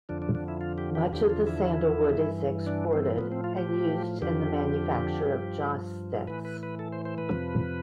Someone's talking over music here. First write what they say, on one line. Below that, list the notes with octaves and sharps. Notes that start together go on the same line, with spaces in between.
Much of the sandalwood is exported, and used in the manufacture of joss sticks.
F2 D3 F3 D4
D4
D4
E4
F4
G4
G4
E2 D3 F3 G4
F4
E4
G2 E3
D4
C4
A2 F3 B3
C4
F4
G4
F2 D3 F3 G4
G2 F3
A2 E3 B4
B4
B4
A4
C5
C5
B4
F2 C3 F3